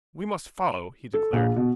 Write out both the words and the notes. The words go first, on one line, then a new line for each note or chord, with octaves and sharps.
"We must follow," he declared.
A4
A#1
B2